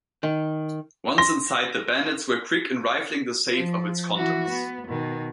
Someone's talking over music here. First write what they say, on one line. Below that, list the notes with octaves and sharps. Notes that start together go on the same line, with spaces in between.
Once inside the bandits were quick in rifling the safe of its contents.
D#3
C6 A#6
F3
E3 F#4
B3
B2 D#3